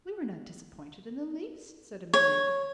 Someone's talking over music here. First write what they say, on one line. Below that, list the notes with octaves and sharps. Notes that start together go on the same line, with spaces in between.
"We were not disappointed in the least," said Amelia.
C#5